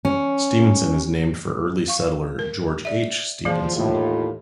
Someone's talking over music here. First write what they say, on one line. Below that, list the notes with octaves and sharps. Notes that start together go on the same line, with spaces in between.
Stevenson is named for early settler George H. Stevenson.
C#4
F5 C#6
A#4
D5 E5
E3 F3 A#3 G#4
D#2 A2 F4